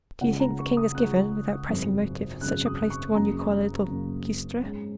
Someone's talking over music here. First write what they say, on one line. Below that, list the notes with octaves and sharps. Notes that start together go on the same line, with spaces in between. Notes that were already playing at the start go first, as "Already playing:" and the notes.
"Do you think the king has given, without pressing motive, such a place to one you call a little cuistre?"
C#2 C#3 G#3 C#4 F#5
A#5
C#6
D#6
C#2 C#3 G#3 C#4 F#6
G#1 F#2 C#3
G#1 F#2 C#3 F#6
D#6
C#6
F#1 F#2 C#3 A#3 A#5
F#1 F#2 C#3 A#3
G#2 G#3 C#4